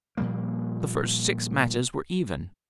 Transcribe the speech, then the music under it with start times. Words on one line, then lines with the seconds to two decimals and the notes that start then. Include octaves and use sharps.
The first six matches were even.
0.17 A#2 F3 G3 A#3